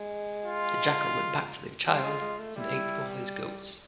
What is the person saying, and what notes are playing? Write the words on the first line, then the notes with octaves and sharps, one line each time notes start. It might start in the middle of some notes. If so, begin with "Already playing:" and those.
The jackal went back to the child, and ate all his goats.
Already playing: G#3
F4
G3 F4
G#3
G#3
A3
G3 E4